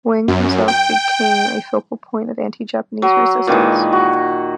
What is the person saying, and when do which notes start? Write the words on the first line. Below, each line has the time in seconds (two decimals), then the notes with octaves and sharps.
Wang himself became a focal point of anti-Japanese resistance.
0.28 F#2
0.68 G5
3.02 F#3
3.47 A#2 D#3 E3 G#3
3.93 F#4